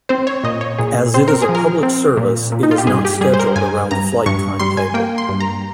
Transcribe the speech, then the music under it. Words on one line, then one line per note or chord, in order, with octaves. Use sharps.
As it is a public service it is not scheduled around the flight timetable.
C4 C5
C#5
A#2 D#5
C#5
A#2 G#4
C4 C5
A#4
G#4
F3
A#4
C4
A#2
A#2
D#4
F4
G4
G2 G#4
G4
G3 G#4
C5
A#4
G2 G#5
G2 A#5
G2 C#6
G3 C6
G#5
A#3 G5
C6
G2
A#5